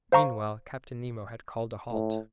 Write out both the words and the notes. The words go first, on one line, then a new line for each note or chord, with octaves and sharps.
Meanwhile Captain Nemo had called a halt.
C5 F5 A#5 C#6
A2